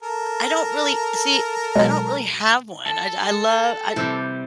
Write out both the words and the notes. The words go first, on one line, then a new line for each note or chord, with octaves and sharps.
I don't really see, I don't really have one. I I love I I I
A4 A#4
B2 F#3 G#3
A4 A5
C3 G3 E4 E6